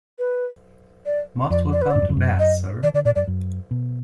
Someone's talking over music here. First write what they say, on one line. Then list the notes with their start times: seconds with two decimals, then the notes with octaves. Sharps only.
Most welcome to Bath, sir.
0.19 B4
1.06 D5
1.50 F2 D5
1.73 D5
1.82 B4
1.91 G#2 D5
2.02 F#2
2.09 F2
2.17 F#2
2.39 D#5
2.83 D#3 D5
2.94 D3 D5
3.05 A#2 D5
3.16 F#2 D5
3.27 F#2
3.71 B2